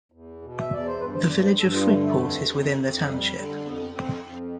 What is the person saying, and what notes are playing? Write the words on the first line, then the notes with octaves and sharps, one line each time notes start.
The village of Fruitport is within the township.
E2
B2
E5
E2 D5
C5
G2 B4
C5
G2 D5
C5
G2 A4
F4
D3 A3
A3
F2
F2
F2
G3
D3 G3
F2 B3
F2 C4
F2